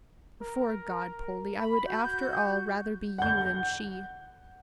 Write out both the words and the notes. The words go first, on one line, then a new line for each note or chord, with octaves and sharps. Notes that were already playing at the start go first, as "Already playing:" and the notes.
Before God, Poldie, I would after all rather be you than she.
A#4
B5
F#4 G6
F#5 G6